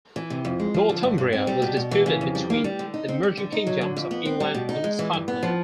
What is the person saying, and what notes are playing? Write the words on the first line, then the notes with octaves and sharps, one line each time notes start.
Northumbria was disputed between the emerging kingdoms of England and Scotland.
E3
C3
F2
G#3
F3
D3
G2
G2
C4
G3
B2
B2
E3
C#3
F2
G3
A#3
G3
D3
D#4
C4
G3
D3
D#4
F#3
D3
F2
B3
C4
G3
B2
D#4
G#3
E3
G2
B3
F3